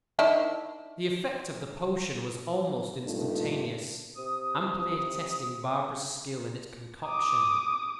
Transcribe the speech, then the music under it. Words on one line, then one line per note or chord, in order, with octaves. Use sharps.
The effect of the potion was almost instantaneous, amply attesting Barbara's skill in its concoction.
D#3 D4 E4
G2 A#2 A3 D#4
C3 D#6
D6 D#6